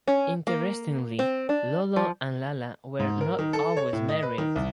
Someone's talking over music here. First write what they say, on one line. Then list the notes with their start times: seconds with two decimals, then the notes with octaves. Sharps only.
Interestingly, Lolo and Lala were not always married.
0.08 C#4
0.47 A#3
1.19 C4
1.49 D4
1.96 F3
2.99 G#2
3.21 A#4
3.39 D#3
3.53 A4
3.77 C#5
3.93 A2
4.09 D#5
4.23 B4
4.38 D#3
4.56 C2